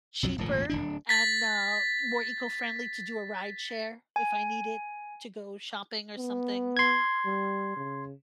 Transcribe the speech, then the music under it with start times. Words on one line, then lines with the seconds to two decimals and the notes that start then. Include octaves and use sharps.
Cheaper and, uh, more eco-friendly to do a rideshare if I needed to go shopping or something,
0.23 B1 F2 F#3
0.38 D1 G#1 A#2 F3
0.69 D1 G#1 D4
1.09 A6 B6
4.16 G#5
6.18 B3
6.77 C6 G#6
7.26 G3
7.77 C#3